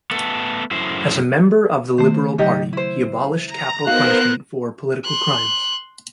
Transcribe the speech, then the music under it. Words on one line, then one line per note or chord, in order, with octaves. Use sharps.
As a member of the Liberal Party, he abolished capital punishment for political crimes.
A3 B3 A4
F#2 A2 E4 C5
D#3 A3 C5
C#3 F#3 D#4 G4 D#5
E4 C5
A#5
B3 D#4 F#4 A#4 C5 F5 F#6
C6 F#6